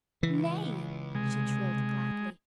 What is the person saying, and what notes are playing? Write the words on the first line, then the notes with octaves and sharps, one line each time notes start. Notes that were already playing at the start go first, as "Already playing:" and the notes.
"Nay!" she trilled gladly.
C#2 E3
C3 G#3